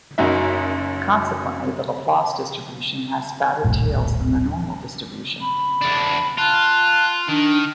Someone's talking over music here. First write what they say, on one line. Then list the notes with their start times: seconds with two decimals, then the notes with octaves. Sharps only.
Consequently, the Laplace distribution has fatter tails than the normal distribution.
0.18 F#1 F#2 D#4 F#4 E5
3.64 D#1 A#1 A2
5.41 B5
5.81 E2 D4
6.38 F4 A5 F#6
7.28 D#3 D4